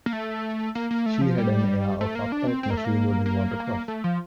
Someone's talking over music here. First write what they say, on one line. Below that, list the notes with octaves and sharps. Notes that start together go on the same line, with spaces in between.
She had an air of uptightness you wouldn't want to cross.
A#3
A3
A#3
A#3
A3
F3
G3
A3
A#3
D4
C4
C4
A#3
A3
A#3
A#3
A3
F3